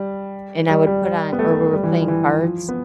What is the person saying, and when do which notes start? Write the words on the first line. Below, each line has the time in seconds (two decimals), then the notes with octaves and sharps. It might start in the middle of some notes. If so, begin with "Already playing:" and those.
and I would put on or we were playing cards,
Already playing: G3
0.69 G3
0.87 G3
1.32 B3
1.39 A3
1.73 G3
1.84 E3
1.91 F3
2.08 E3
2.43 F3
2.69 B3